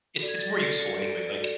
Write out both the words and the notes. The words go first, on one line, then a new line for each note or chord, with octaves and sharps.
It's it's more useful anyway, like
F#4 A4 D5
G#6
A6
A#6
F#4 A4 D5 C7
C#7
F#4 A4 D5 D7
F#4 A4 D5